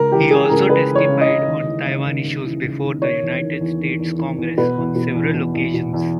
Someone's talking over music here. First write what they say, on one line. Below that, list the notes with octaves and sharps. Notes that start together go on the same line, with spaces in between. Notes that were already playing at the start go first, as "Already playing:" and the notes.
He also testified on Taiwan issues before the United States Congress on several occasions.
Already playing: C#2 A#4
E3 G4
C#3 G#4
C#2 A#4
C#2 B4
E3
C#5
C#3
D#5
C#2
D#2
E3
C#3
D#2
D#2
E3
C#3
D#2
D#3 C#5
E2
D#3
E2
D#3
E2
D#3
E2
B2 B4
E2
B2
E2
B2
E2
B2
E2